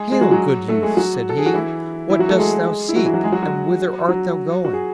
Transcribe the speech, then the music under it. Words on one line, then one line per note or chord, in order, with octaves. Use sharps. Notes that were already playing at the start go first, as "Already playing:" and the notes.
"Hail, good youth!" said he, "what dost thou seek, and whither art thou going?"
Already playing: G#3 G#4
G#3 G#4
F#3 F#4
F#3 F#4
A3 A4
G#3 G#4
F#3 F#4
A4
G#4
F#4
E3 E4
E3 E4
F#3 F#4
A3 A4
G#3 G#4
E4
F#3 F#4
E3 E4
F#3 F#4
G#3 G#4
F#3 F#4
F#3 F#4
F#3 F#4
F#4
G#4